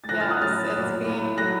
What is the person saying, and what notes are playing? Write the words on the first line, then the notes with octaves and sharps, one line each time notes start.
Yes, it's being
A6
A2 F3 F#6 A#6
F6 A6
D#6 F#6
A2 F#3 F6 A6
A#2 F#3
A2 F#3
A2 F#3 F#6 A#6